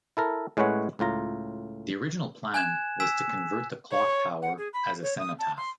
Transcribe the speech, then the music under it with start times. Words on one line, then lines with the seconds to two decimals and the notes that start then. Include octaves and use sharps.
The original plan was to convert the clock tower as a cenotaph.
0.17 E4 A4 A#4
0.57 A2 G#3 C#4 B4 C#5 F#5
0.99 C#2 A2 F4 A#5
2.54 G#5 F#6 G#6 E7
3.00 G#5 E6 B6 E7
3.92 C#5
4.42 F#5
4.58 G#4
4.73 B5
5.03 C#5
5.19 D#6
5.39 A5
5.57 C6